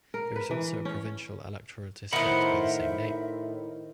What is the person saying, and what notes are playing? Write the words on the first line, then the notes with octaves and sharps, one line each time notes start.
There is also a provincial electoral district by the same name.
A#4
B4
E3
C#4
A2 D#3 A#4 C5 E5 F#5 B5